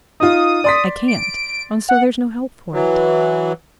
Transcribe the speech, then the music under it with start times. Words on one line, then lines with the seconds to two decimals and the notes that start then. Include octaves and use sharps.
"I can't! and so there's no help for it."
0.20 D#4 F4 D#6
0.64 D5 C6 B6
1.08 D7
1.89 F#5
2.72 E3 F#3